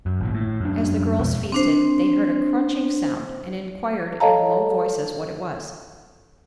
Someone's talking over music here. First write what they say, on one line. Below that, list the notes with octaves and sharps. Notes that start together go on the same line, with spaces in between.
As the girls feasted they heard a crunching sound and inquired in low voices what it was.
F#2
G#1 A#2
A2
F#2 D4
B1 F2 B2 G#3
C4 D4 C5
A4 C#5 D#5 F5 A5 A#5